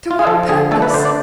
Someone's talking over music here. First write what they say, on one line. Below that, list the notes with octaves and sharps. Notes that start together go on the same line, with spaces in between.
'To what purpose?
F4
G#4
F3 A4
D3 G#4
A3 A4
B4
D5
D3 C5
D5